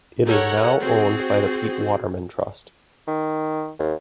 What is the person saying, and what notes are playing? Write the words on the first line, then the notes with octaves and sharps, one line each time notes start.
It is now owned by the Pete Waterman Trust.
G4 A4 A#4 C#5 F#5
C4 F#4 G#4
D#3
D#2